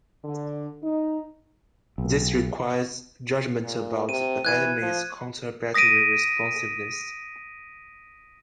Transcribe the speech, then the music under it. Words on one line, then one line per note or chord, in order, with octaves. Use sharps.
This requires judgement about the enemy's counter-battery responsiveness.
D3
D#4
B1
A#2
C3 D#7
E3 F#6 G#6 D#7
F3
D#6 A#6 B6 D7 D#7